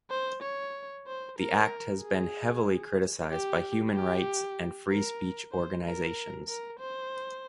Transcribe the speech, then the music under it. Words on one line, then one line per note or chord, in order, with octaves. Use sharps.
The act has been heavily criticised by human rights and free speech organisations.
C5
C#5
C5
A#4
G#4
G4
G4
A#4
C5
A#4
A#4
C5